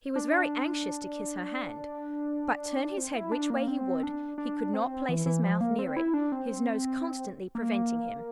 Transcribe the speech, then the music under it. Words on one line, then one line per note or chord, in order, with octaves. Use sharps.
He was very anxious to kiss her hand; but turn his head which way he would, he could not place his mouth near it, his nose constantly preventing him.
D4
C4
E4
D4
A#3
C4
D4
D4
C4
E3
E3
F3
A#3
C4
E4
D4
C4
A#3